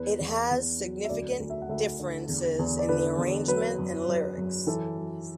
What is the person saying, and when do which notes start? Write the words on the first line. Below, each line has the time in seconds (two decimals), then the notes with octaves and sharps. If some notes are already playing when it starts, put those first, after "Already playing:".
It has significant differences in the arrangement and lyrics.
Already playing: E2 B4
0.21 E2
0.51 E2
0.80 F#3
1.04 E5
1.09 D2 D5
1.40 D2
1.50 E5
1.62 F#5
1.69 D2 E5
1.99 D3
2.29 E2
2.59 E2
2.79 D5
2.89 D3 B4
3.18 E2
3.48 F#3 B4
3.78 F#2
4.08 F#2
4.38 F#2
4.67 E3 A4
4.97 F#2